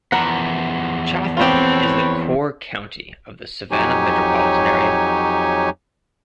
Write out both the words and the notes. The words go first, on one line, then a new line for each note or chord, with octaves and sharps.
Chatham is the core county of the Savannah metropolitan area.
E2 F3 A#4 B4 F#5
C4 F4 G4 A4 B4 C#5 G5
F2 F#3 D#4 G4 C#5 G#5